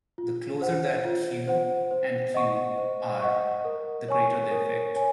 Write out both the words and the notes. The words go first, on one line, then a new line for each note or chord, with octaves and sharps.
The closer that "q" and "q" are, the greater the effect.
F4
C5 F#5
F4
C5 F#5
C5
D#5 F#5 C#6
C5
D#5 F#5 C#6
A#4
C#5 G#5 C#6
A#4
C#5 G#5